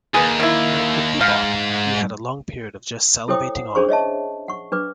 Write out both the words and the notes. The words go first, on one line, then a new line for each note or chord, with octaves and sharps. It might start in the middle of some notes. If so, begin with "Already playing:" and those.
Like with bebop, we had a long period of just salivating on.
D#2 G#4 B4
D#3 E4
G#2 F5
E4 A4 C5 C#5 G5 D#6
F#5
C#4 D4 G#4 C5 C#6
C#5 D#5 E5 A5
F#5 C#6
D4 B4 D6